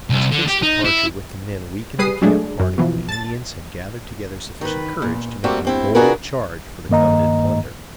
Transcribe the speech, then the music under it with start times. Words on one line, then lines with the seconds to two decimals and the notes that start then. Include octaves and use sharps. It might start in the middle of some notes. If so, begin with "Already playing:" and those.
As Kit's departure with the men weakened the camp party the Indians had gathered together sufficient courage to make a bold charge for the coveted plunder.
0.10 C2
0.31 D3
0.47 G4
0.62 D#4
0.85 E4
1.99 G3 G#4 B4 D#6 C7 D#7
2.22 F#3 G#3 A3 D4 G#4
2.60 F#2
2.78 B2 E3 F3
3.08 A5 A6
4.61 D#3 B4
5.02 A#2
5.44 G3 A3 A#3 C4 F#4
5.65 G2 C4 E4
5.95 D4 F4 F#4 G#4 A#4 B4
6.89 G2 D#3 A#3 D#5 A#5